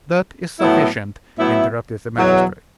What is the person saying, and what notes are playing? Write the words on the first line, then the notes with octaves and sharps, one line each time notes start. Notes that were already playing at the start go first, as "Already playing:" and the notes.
"That is sufficient," interrupted the magistrate.
A2 F#3 B3 E4
A2 F#3 B3 E4
E2 B2 F#3